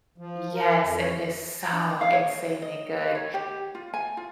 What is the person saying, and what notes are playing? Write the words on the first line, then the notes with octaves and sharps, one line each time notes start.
Yes, and it is so insanely good.
F3
A#4
F2
C#5
D4
F5
C#5
D#5
B4
C#5
G4
F4
G#5
F4